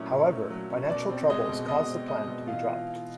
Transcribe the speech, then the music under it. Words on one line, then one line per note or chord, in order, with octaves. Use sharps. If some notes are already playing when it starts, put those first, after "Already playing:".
However, financial troubles caused the plan to be dropped.
Already playing: A#2 F#3 A3 C#4 E4
A#2
A3
F#3
C#4
B2 D5
C4
G#3 D#5
B2
B2 D#5
C4
G#3 D#5
B2
E3 F4 F5